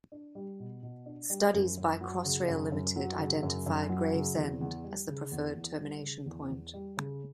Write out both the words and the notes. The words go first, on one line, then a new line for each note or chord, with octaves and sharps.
Studies by Crossrail Limited identified Gravesend as the preferred termination point.
D4
G3
B2
B2
D4
G3
F#2
F#2
F#3
C#3
F#2
F#2
F#3
C#3
F#2
F#2
F#3
C#3
E2
E2
G3
C#3
E2
E2
G3
C#3
E2
E2
G3
C#3